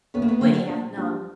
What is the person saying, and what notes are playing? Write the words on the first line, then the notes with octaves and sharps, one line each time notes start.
We have none.
D2 B3 C#4
A#3
A3 B3
D3 F#3 A3 A#3 C4
C4 D4
A#2
F3 A#3 D4 G4